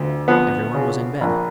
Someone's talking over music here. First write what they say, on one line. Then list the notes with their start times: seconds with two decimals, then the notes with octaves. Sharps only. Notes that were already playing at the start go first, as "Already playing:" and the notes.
Everyone was in bed.
Already playing: D2
0.28 F3 B3
0.75 C#3
1.21 A#1